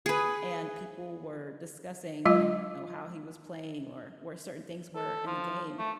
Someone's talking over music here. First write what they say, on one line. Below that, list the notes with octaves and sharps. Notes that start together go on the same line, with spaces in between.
and people were discussing, you know, how he was playing or where certain things were in the game,
G#4 B4
F#3 G#3 F4 D#5
A4
F3
A3